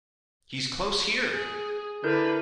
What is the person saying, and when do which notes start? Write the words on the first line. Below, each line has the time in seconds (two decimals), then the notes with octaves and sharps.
He's close here!
1.30 G#4
2.04 D3 E4 A#4 B4 G6